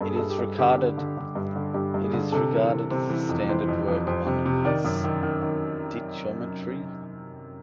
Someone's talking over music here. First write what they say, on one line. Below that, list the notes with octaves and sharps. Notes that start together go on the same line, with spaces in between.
It is regarded as the standard work on stichometry.
G2 A4
G#4
G2 A4
G4
G2
D3 G4
D3
D3
D3
G2
D3
G2 G4
G2
G#4
D3
C3 A4
E3 A#4
C3
C3 C5
E3
F2
E3 C5
F2
F2
F2 C5
C3
C3
D#3 D5
F#2
D#3
D#3
D#3